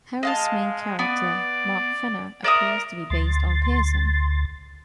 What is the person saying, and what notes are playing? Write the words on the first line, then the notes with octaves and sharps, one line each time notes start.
Harris' main character, Mark Fenner, appears to be based on Pearson.
G#3 D#5 F5 A5
B3 D5
A#4 D5 E5 D#6
D2 C6 A6